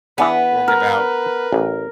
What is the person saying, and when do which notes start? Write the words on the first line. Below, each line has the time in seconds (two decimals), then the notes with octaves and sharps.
worrying about,
0.18 E3 B3 D4 G#4 B4
0.68 A#4
1.52 A1